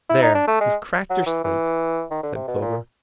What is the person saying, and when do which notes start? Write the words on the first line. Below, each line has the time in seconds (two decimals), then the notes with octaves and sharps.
"There, you've cracked your slate," said Clover.
0.09 E4
0.22 D#4
0.35 D4
0.48 A3
0.60 G#3
1.10 F#3
1.26 E3
1.44 E3
2.11 D#3
2.23 D3
2.35 C3
2.48 B2
2.61 A#2